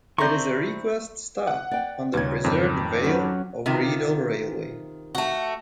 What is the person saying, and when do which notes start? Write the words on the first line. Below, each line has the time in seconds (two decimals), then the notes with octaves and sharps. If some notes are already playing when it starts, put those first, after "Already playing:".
It is a request stop on the preserved Vale of Rheidol Railway.
0.18 C4 E4 D5 A#5 C6 C#6 G6
1.47 F#5
1.71 D5 G5
2.13 D#2 C#3 G3 G#6
2.44 F2 G#2 D#3
3.04 F#3 C#4 F#4
3.66 C3 D#3 F4
5.15 A3 F#4